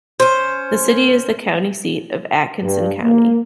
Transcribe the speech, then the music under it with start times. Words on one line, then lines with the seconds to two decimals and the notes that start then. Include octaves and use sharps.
The city is the county seat of Atkinson County.
0.20 C#4 C5
2.62 G2
3.02 A#3